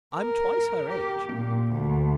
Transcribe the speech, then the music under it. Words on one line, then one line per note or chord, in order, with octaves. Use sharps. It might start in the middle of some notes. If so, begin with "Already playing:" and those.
I'm twice her age.
A#4
G4
A#2
D2